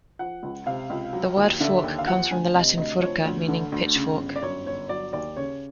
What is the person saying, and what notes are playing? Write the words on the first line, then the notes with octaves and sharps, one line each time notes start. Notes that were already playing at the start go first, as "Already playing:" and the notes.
The word "fork" comes from the Latin "furca", meaning "pitchfork".
F3 F#5
C#2
C3 F5
C#2
F#3
D#2
D3 E5
D#2
F5
F3 F#5
D2 G#5
C3 D#5
D2 D#5
F3 C#5
D2
D3
D2
C#3
G1
D5
F#2 C#5
G1 C#5
F#3 D5
D#2 D5
C#3 C#5